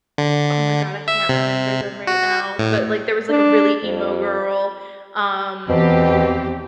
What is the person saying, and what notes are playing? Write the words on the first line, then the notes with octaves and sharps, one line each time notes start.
Oh my god, I can't remember them right now, but, like, there was like a really emo girl, um,
D3
E5
C3
F#4
A2
D4
F2
E2 B2 C4 G4